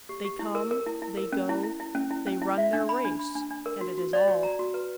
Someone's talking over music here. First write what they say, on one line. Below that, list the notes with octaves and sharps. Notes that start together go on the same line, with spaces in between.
They come, they go; they run their race, and it is all.
G4
G4
E4
A#4
A#4
E4
E4
A#4
C#4
E4
E4
E4
C#4
E4
C#4
E4
E5
D4
B5
D4
B5
D4
D4
A#4
F#4
F#4
D5
F#4
A#5
F#4
B4